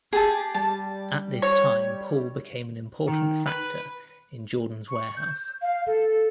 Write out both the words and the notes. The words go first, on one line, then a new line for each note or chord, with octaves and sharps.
At this time Paul became an important factor in Jordan’s warehouse.
G4 G#4 A5
G3 A5
C#5
D#3
B4
C#6
G6
F5
A4